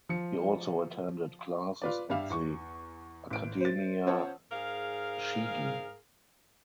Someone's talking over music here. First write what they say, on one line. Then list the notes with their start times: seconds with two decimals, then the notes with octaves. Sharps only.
He also attended classes at the Accademia Chigi.
0.09 F3 C#7
1.82 F4 B4 D5
2.10 G2 G3 E5 F5
2.30 E2 C#6
3.30 A1 D7
3.60 C5 A6
4.06 C#4 F4 C5 C#5 F#5 A5
4.52 G#2 G#4 A#4 F5